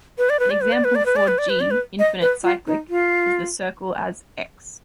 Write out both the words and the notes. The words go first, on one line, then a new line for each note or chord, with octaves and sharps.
An example for "G" infinite cyclic is the circle as "X".
B4
D5
B4
D5
B4
D5
B4
D5
B4
D5
B4
D5
B4
D5
B4
D#5
B4
F4
D#4
F4